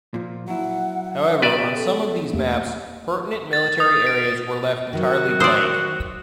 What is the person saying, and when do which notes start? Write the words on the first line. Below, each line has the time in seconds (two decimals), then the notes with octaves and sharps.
However, on some of these maps, pertinent military areas were left entirely blank.
0.14 A#2 F3
0.48 F#3 E4 F#5
1.42 C#3 B3 G4 B4 D5 E5
1.75 A4
2.33 E2 A3 A#3 G4
3.53 A6
3.80 D#6
4.07 D7
4.93 D#3 F#3 F#4
5.40 C5 D5 C6 D#6 E6